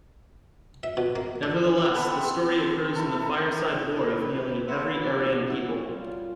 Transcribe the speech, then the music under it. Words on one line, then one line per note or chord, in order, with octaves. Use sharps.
Nevertheless, the story occurs in the fireside lore of nearly every Aryan people.
E5
B2
A#3
D4
B3 A4 B4
C4
E4 A4
A#5
E4
A3 D#4 G4 B4
B3 C#5 E5 F#5 B5 C6
F3 G3 A#3 D4 F#4
B3 E4 F#4
F#3 G3 F4